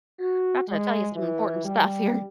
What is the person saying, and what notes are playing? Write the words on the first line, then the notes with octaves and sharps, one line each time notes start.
I got to tell you some important stuff here.
F#4
G#3
E3
G3